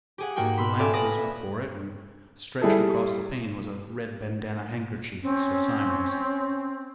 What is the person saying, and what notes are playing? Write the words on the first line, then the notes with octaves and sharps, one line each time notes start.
The lamp was before it, and stretched across the pane was a red bandanna handkerchief of Sir Simon's.
G4 G#4 F#5
G#2 A#3 F#4 F#5 G5
B5 C6 E6
A4 D5 E5 F5 G#5
B4 D5 B5 D#6 A#6
E5
G3 E4 G#4 A4
C4 C#4